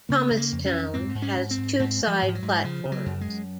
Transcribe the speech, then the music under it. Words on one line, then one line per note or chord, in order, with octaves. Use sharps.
Thomastown has two side platforms.
C#3 A#3
C#3
A#3
F2
C#4
F2
G#2 C4
G#2
C#4
G#2
C4
G#2
G#2 C4
G#2
F3
G#2
F3
F#3
G#2
C#3 F3
C#3
F#3
F#2
G#3
F#2